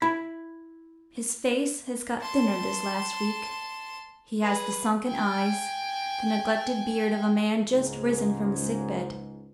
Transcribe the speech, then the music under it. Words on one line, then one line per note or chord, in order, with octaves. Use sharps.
His face has got thinner this last week: he has the sunken eyes, the neglected beard of a man just risen from a sick-bed.
E4 B5
A5 C6
G#4 B4
G5 G#5
C#2 G#2